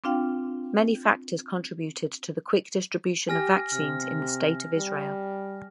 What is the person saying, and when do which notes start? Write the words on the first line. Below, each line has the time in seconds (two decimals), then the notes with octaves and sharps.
Many factors contributed to the quick distribution of vaccines in the state of Israel.
0.04 C4 D4 F4 F5 G5
3.29 G4 G#5 F6 A#6
3.73 C3 F6
4.77 G3